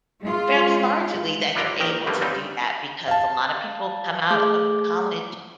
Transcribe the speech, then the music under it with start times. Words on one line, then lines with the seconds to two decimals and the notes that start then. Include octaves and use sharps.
fairly largely that you're able to do that because a lot of people come out of college
0.21 G#3 F4
1.55 D4 E4 F4 G4 A#4 D5
1.80 A#1 D#3 A#4 D#5 G5
2.06 B2 D3 F3 G3 A3 A#3
2.21 C#3 G3 B3 C4 D#4
3.08 F5 A5
4.30 A3 G#4 D6